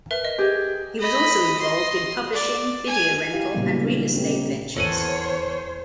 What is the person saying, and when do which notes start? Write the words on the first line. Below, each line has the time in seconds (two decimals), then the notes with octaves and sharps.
He was also involved in publishing, video rental, and real estate ventures.
0.11 A#4 B4 E5
0.25 D#5
0.38 G4 G#4
0.99 D#5 B5
1.56 D#5 C6
2.33 D5
2.87 G#5
3.33 E4 F4 G4 F5
3.55 A#2 C#3 E3 F#3 G3 B3
3.83 D4
4.13 A3 B3 C#4 D#4 G4
4.76 E2 A4 C5 C#5 F#5 G#5